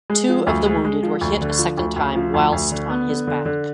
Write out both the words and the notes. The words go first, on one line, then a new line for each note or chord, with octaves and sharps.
Two of the wounded were hit a second time whilst on his back.
G#3
F3
D2
G#3
G#3
F3
D2
D3
F3
D2
D2
F3
D2
D2
D3
B3
D3
D3
D3